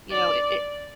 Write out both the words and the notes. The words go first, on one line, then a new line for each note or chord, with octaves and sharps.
you know? I it
D5